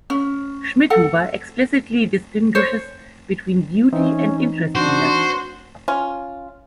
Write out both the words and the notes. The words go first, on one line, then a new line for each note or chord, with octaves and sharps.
Schmidhuber explicitly distinguishes between beauty and interestingness.
C#4
A4 F#5
C5 C#5
E3 C4 C#4 D#4
D4 F#4 C5
C#4 F4